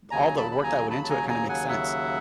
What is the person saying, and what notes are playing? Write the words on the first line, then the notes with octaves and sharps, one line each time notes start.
all the work that went into it kinda makes sense.
D#2 C#3 F#3 G#5 A#5
A5 B5
B5
G#5 A#5
A5 B5
A5
G#5 A#5
G#5 A#5
F#5 G#5
E5 F#5